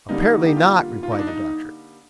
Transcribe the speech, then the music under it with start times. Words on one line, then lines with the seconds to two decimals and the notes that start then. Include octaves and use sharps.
"Apparently not," replied the doctor.
0.09 D3 G3 A#3 D#4
0.46 G4
0.57 F4
1.03 F4
1.12 D#4
1.19 D4
1.27 D#4